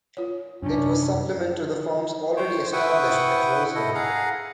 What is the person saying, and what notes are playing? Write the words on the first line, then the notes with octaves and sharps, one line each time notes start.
It was supplement to the farms already established at Rose Hill.
F4 C#5
F#2 C3 C#4 D4
C5 C#5 G5
E4 B4 F#5 G5 C#6 D#6
E4 A4 D#5
G#4 F5 F#5 A#5